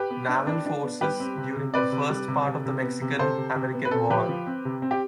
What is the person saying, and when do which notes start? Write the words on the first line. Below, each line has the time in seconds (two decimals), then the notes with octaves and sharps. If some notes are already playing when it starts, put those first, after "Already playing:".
Naval forces during the first part of the Mexican-American War.
Already playing: G4 B4
0.10 B3
0.29 D4
0.47 D4
0.66 D4
0.83 B3
1.01 G3 G4 B4
1.20 C4
1.37 C3
1.56 C3
1.74 C4 B4 D5
1.92 C3
2.10 G3
2.28 C3
2.47 C3
2.65 C3
2.82 B3
3.01 C3
3.19 C3 A4 C5
3.37 C3
3.55 C3
3.74 B3
3.85 B4
3.91 C4 A4
4.10 F3 G4 B4
4.29 F3
4.47 C4
4.65 C3
4.82 C4
4.91 G4